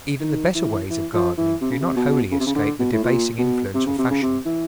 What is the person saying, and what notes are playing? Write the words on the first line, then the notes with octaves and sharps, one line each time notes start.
Even the better ways of gardening do not wholly escape the debasing influence of fashion.
D#3
E3
E3
F3
E3
C3
C#3
C3
B2
C#3
C3
C#3
D3
B2
A2
A#2
B2
C3
C#3
C3
C#3
C3
E3